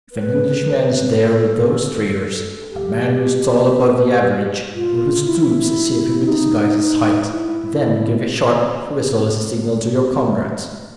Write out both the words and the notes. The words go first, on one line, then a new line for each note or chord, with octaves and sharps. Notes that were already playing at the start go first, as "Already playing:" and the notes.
If an Englishman is there with those traitors, a man who is tall above the average, or who stoops as if he would disguise his height, then give a sharp, quick whistle as a signal to your comrades.
B4
A4
G4
F4
E4
E4
D#4
E4